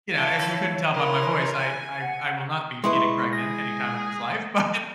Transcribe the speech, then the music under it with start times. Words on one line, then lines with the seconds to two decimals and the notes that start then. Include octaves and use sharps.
you know, if you couldn't tell by my voice, I I I will not be getting pregnant anytime in this life, but
0.12 E4 C#5 F5 A5
0.92 D4 E4 A#4 C#5 C6
1.59 G#5
2.00 F#5
2.84 G#3 E4 B4 C6 C#6
3.33 G#4 A#6